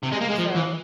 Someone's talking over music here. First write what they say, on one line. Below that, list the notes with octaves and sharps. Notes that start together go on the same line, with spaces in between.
And so,
C3
G#3
A#3
G#3
F3
E3